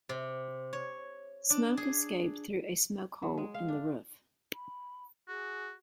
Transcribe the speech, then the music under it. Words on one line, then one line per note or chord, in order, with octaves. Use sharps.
Smoke escaped through a smoke hole in the roof.
C3
C#5
D4
G#4
F#3
G#3
F5
D4
B5
F#4 G#4